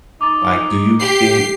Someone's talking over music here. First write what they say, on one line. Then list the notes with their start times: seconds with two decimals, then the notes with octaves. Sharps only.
like, do you think
0.21 D#4 D6 A6
1.00 G4 C7